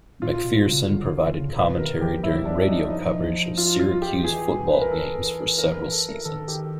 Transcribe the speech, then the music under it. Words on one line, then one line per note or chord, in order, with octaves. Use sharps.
MacPherson provided commentary during radio coverage of Syracuse football games for several seasons.
A#2 F4
B2
C#3
D3
D3
C#3
B2 B4
D#3 A#4
F3 G4
F#3 E4
F#3 D4
F#3 D#4
F3 D#4
F4
F4
G4
E3 G#4
B4
A#4
A4
A4
A#4
B4
A4
A#4
D#3 A4
G4